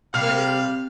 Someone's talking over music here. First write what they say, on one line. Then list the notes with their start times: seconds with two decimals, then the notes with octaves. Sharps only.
But it
0.14 C3 G3 F5 F6